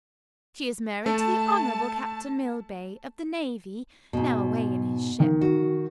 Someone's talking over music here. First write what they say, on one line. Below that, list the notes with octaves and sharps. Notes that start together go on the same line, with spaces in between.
She is married to the Honorable Captain Millbay, of the Navy, now away in his ship.
A3 A5
G#2 B2
D#3
F#4